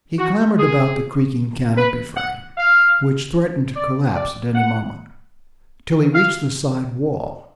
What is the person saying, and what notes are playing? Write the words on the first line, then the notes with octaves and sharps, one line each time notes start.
He clambered about the creaking canopy frame, which threatened to collapse at any moment, till he reached the side wall.
F#4
G#4
B4
F#5
F5
D5
D5
F#5
F5